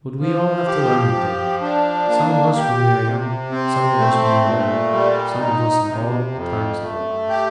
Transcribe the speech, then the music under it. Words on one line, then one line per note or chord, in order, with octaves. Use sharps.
But we all have to learn it, David; some of us when we are young, some of us when we are old, some of us at all times of our lives.'
F3
G4
F3
D4
A#3
G4
C3
C4
A3
A#2
G3
D#4
C3
F2
A3
G4